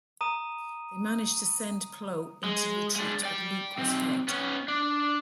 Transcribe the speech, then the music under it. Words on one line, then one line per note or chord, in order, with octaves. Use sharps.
They managed to send Plo into retreat, but Luke was hurt.
A#5 D#6 D#7
G#3
G#3 D4
D5 G5
B1 C4
B3 C#4
D4